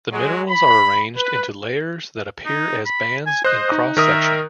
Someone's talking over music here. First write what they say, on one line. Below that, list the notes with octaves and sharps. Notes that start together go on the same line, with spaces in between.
The minerals are arranged into layers that appear as bands in cross section.
F#3 G#3
B5
B4
D#4
B5
G#5
C5 D#5 F#6
D#4
D#3 A#4 E5 D#6